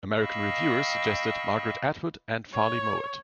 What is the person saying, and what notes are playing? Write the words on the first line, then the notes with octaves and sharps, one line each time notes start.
American reviewers suggested Margaret Atwood, and Farley Mowat.
D#5 F5 G5 B5 C#6 E6
C#5